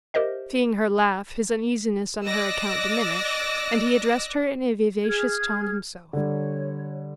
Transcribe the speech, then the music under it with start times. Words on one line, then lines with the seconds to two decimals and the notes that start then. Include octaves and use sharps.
Seeing her laugh, his uneasiness on her account diminished, and he addressed her in a vivacious tone himself.
0.14 G4 A#4 C5 D#5 E5
2.25 D5 D#5 D6 E6 F#6 A#6
5.04 G#4 F6 G#6
6.13 D3 G3 C#5